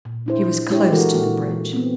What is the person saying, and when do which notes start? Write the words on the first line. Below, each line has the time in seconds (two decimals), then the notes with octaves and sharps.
She was close to the bridge.
0.05 A#2
0.26 D4 E4 C5
0.70 G#3 D4 E4 G4 C#5
0.93 E3 F#4 A4 A#4
1.14 A#2 F3 A#3 F#4
1.73 B3 C4